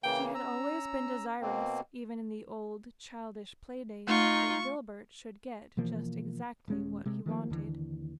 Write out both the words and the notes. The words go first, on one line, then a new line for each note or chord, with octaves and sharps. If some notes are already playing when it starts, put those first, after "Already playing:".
She had always been desirous, even in the old, childish play-days, that Gilbert should get just exactly what he wanted.
C#3 E3 A#3 G5
C#4 A#5 E6
B2 A#3 C4
A3 D#4 F4 C#6
B2 E3 F3 A#3
D#1 G#3 C#4
C3 G#3
D#3 F3 G#3 A#3
D#2 D3 E3